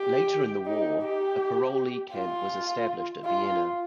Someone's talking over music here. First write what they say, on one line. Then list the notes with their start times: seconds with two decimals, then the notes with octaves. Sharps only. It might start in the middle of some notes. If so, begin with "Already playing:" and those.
Later in the war, a parolee camp was established at Vienna.
Already playing: G4
0.67 D#4
1.02 G4
2.14 F4
3.24 F4